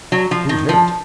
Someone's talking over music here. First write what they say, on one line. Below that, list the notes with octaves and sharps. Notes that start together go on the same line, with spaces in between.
"Who's hurt?"
F#3
F3
D#3
F3